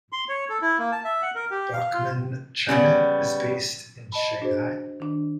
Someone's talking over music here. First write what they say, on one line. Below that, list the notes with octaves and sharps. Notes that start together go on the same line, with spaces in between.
Bachmann China is based in Shanghai.
C6
C#5
A4
E4
A#3
A5
E5
F#5
A#4
G4
F5
F4
C#3 G3 B3
D#5 A5 B5
D4 F#4 G#4 C5
D#3 D4